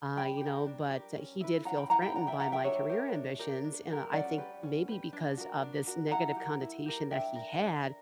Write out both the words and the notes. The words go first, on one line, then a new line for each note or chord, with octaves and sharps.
uh, you know, but, uh, he did feel threatened by my career ambitions, and I think maybe because of this negative connotation that he had,
D4 G5 B5
G4 A#4
D4
G4 A#4
C#4
E4 B4
C#4 F#5 A#5
G5 B5
E4 B4 F#5 A#5
G5 B5
D4 F#5 A#5
E5 G5
G4 A#4 F#5 A#5
E5 G5
D4 C#5 E5
G4 A#4
D4
G4 A#4
D4
G4 A#4
C#4 D5 F#5
G4 B4
C#4
G4 B4
D4
F#4 A#4
D4
F#4 A#4
E4 F#5 A#5
G4 A#4
E4
G4 A#4
D4 E5 G5
A#4
D4
A#4